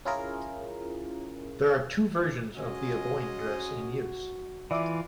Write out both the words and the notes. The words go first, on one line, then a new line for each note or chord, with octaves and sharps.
There are two versions of the Aboyne dress in use.
C#4 E4 F4 G#4 A#4
G#3 C#4 F#4 D#5
E3 F4 D5 E5 D6